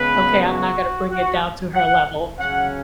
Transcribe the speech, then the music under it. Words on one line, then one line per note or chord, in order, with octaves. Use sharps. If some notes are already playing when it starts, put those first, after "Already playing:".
"Okay, I'm not gonna bring it down to her level."
Already playing: C#3 G#3 B3 B4
F#4
F#4
F#5
C#3 F#3 C#4 F#5